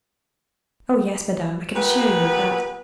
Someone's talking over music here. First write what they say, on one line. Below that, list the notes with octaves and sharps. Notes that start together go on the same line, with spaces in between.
"Oh, yes, madame, I can assure you of that."
A#2 B3 G4 B4